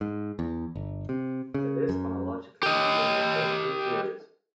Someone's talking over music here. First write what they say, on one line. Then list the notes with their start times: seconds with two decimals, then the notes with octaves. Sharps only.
That is, phonologically Tiwi has at most three series.
0.01 G#2
0.39 E2
0.76 G1
1.09 C3
1.54 C#3
1.89 F#2
2.63 G4 D#5